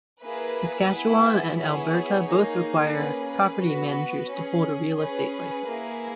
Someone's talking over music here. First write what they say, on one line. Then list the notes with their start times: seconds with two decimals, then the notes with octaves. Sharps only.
Saskatchewan and Alberta both require property managers to hold a real estate license.
0.22 A#3 E4 G#4 B4
0.90 B3 E4 G#4
1.57 B3 E4 G#4 C#5
2.27 A#3 D#4 G#4
2.94 A#3 C#4 G#4 B4
3.28 B4
3.63 B3 F#4
4.30 C#4 G#4
4.98 C#4 G#4 B4
5.66 A#3 E4 G#4